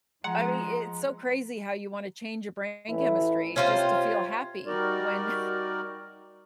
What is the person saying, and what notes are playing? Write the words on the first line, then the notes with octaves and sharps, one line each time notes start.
I mean, it's so crazy how you wanna change your brain chemistry just to feel happy when,
F3 G#3 F#5 A#5
A1 E3 E4
C3 C#4 F4 C5
G3 D#4 F#4 A#4 D5